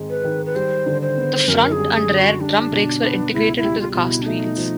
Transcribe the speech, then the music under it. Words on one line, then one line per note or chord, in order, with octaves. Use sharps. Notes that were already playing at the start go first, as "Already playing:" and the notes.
The front and rear drum brakes were integrated into the cast wheels.
Already playing: G#2 D#3 G#3 C4
B4
D#3
B4
G3 C5
D3
C5
B3
F#2 A#4
G#4
G3
G#4
D3
F#4
G3 D4
B2
B3
C#2 E4
E4
G3
F4
B2 F4
E4
D4
A3 D#4
F3